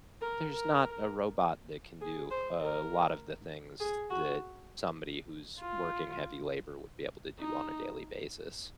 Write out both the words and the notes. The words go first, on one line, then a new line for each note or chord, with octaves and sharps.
there's not a robot that can do a lot of the things that somebody who's working heavy labor would be able to do on a daily basis.
A#4
A#4
G#4
C5
A#4
G#4
F#4
F4
D#4